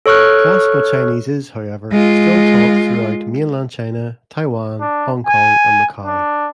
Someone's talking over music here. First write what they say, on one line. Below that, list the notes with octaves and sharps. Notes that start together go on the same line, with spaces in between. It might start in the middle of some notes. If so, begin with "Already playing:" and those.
Classical Chinese is, however, still taught throughout mainland China, Taiwan, Hong Kong and Macau.
A4 C#5 C#6 F6 F#6
G#3 F4
D4
G#5
D4